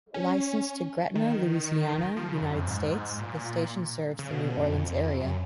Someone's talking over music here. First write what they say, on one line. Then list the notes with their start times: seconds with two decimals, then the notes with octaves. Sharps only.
Licensed to Gretna, Louisiana, United States, the station serves the New Orleans area.
0.14 C#4
1.15 D#3
2.16 F3
2.29 C#3
2.42 F#2
2.55 F2
2.67 G#2
3.18 A#2
4.19 C#3
4.31 B2
4.44 B2
4.57 F#2
4.69 F2
5.20 F#2